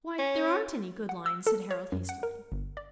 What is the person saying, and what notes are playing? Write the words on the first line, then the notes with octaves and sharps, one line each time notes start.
"Why, there aren't any good lions," said Harold, hastily.
C#4
F#5
E6
A4
C#5
F#2
F#5
A#4
G1
D5